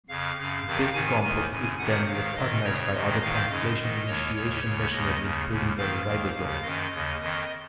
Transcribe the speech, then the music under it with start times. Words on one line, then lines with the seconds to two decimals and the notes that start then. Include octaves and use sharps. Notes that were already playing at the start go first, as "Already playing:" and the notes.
This complex is then recognized by other translation initiation machinery including the ribosome.
0.09 F2 C#3 F5
0.38 F#2 C#3
0.66 F2 C3 D#3
0.94 G#2 D#3 G#5
1.22 D#2 D#3 G#5
1.52 F#2 C#3
1.79 F2 C3 D#3 F#5
2.07 G#2 D#3 F5
2.36 G#2 D#3 D#5
2.65 F2 C#3 C#5
2.93 F2 C3 D#3 D#5
3.22 G#2 D#3 F5
3.50 F#2 C#3 D#5
3.79 G#2 D#3
4.07 D#2 D#3 C#5
4.36 D#2 C#3 C#5
4.64 D#2 C#3
4.92 D#2 C#3 D#5
5.21 D#2 C#3
5.49 D#2 C#3
5.77 G#2 D#3 F5
6.06 D#2 D#3
6.35 D#2 C#3
6.63 F#2 D#3 D#5
6.93 D#2 C#3
7.21 F2 D#3